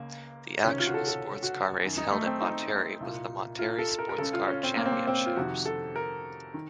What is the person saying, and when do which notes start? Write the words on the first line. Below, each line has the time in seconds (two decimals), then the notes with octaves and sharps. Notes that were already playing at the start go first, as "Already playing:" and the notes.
The actual sports car race held at Monterey was the Monterey Sports Car Championships.
Already playing: C#2 C#3 A#3
0.64 C#2 C3 D#3 C#4
0.79 F4
0.86 F#4
0.94 A4
1.08 A4
1.43 F#4
1.83 F#2 D#3
1.98 D#4
2.12 A3
2.26 C4
2.42 D#4
3.00 C2 A#2
3.59 F4
3.78 A4
3.99 A#4
4.09 A#4
4.18 C#2 C#3 A4
4.33 F4
4.48 C#4
4.63 C4
4.77 A#3
4.86 C4
4.92 A#3
5.07 C4
5.26 F4
5.36 F2 C3 D#3 F#4
5.65 A4
5.96 A#4
6.54 D#3